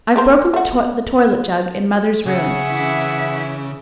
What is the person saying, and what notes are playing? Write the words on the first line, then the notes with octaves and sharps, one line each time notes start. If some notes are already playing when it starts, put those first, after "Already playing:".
'I've broken the toilet-jug in mother's room.'
C4 A#4 C5
A3 F#4
C#3 G#4 E5 F#5
E3 E4